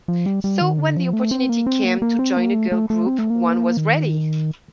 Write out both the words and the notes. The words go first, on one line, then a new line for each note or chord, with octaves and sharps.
So when the opportunity came to join a girl group one was ready!
F3
G3
G3
D#3
D3
F3
A3
C4
A#3
C4
A#3
A#3
C4
A#3
A3
A3
A3
C4
A3
A#3
D#3